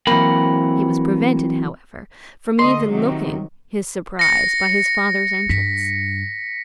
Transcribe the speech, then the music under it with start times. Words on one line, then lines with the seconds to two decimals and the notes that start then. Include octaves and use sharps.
He was prevented, however, from even looking his surprise by his father's entrance.
0.07 E3 F#3 A#3 C4 B5
2.59 D2 D3 D#5 C6
2.91 C3 D#3 F#3
4.19 A#6 C#7
5.49 G2 B6